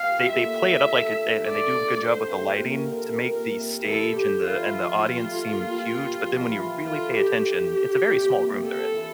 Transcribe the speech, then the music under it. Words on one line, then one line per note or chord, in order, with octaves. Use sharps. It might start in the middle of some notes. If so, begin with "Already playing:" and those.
they they play it up like it and they do a good job with the lighting to make the stage and the and the audience seem huge, but then when you really pay attention, it's a very small room they're in.
Already playing: G4 F5
F4
A#3
A3 E5
D3
D3
D3 D5
D3 C5
C3
A#2
C3 A#4
D3
C3
A#2
C3
E3
D3 A4
G4
E3 F4
F3
F3
G3
A3
A#3
G3
G3
F3
G3
F3
E3
D3 F4
G4
G4
C3
A#2
C3
D3 A4
E3